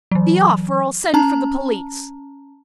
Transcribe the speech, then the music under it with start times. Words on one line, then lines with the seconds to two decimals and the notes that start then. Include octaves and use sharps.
Be off, or I'll send for the police.'
0.11 E3 F#3
1.14 C#4 A5 A#5